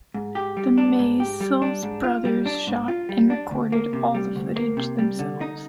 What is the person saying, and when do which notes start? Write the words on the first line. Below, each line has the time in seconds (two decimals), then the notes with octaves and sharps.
The Maysles brothers shot and recorded all the footage themselves.
0.14 G#2
0.35 G4
0.57 G3
0.78 D4
0.99 G#2
1.20 G4
1.40 G3
1.62 D4
1.83 G#2
2.04 F4
2.25 G3
2.46 D4
2.67 G#2
2.88 F4
3.09 G3
3.30 D4
3.51 D2
3.72 A#3
3.93 C3
4.14 G3
4.36 D2
4.56 A#3
4.77 C3
4.99 G3
5.19 D3
5.41 D#4